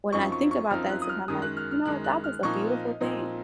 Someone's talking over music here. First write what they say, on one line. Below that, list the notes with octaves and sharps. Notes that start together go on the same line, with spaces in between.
when I think about that, sometimes I'm like, "You know what, that was a beautiful thing."
F#2 F3 C4 D#4 C#6
C#6
C#6
F#2 F3 C4 D#4 F6
F#6
D#6
F6
F#2 D#3 G#3 D#6
F#6
F6
F6
F#2 D#3 G#3 F#6
F#6
F6
A#2 F3 C4 D#4 C#6
D#5
A#2 F3 C4 D#4